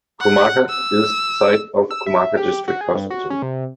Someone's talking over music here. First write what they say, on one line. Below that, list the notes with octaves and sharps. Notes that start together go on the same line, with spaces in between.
Kumaka is site of Kumaka District Hospital.
F#5
E6
E6
E5
G4
F#4
G#4
G2
F#4
C#4
C3